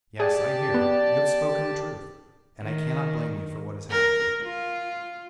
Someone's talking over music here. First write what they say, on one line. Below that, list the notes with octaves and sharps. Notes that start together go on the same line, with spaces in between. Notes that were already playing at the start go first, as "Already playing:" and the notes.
'Yes, I hear; you have spoken the truth, and I cannot blame you for what has happened.
G4 G#4 D5 A5
B3
D#3
A#4
F4